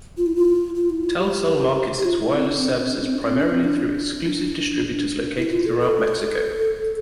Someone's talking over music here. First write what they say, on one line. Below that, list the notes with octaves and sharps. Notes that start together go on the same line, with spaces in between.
Telcel markets its wireless services primarily through exclusive distributors located throughout Mexico.
F4
E4
F4
F4
E4
F4
G4
G4
F4
E4
C4
D4
C4
D4
C4
D4
C4
D4
C4
D4
C4
D4
E4
F4
A4
A4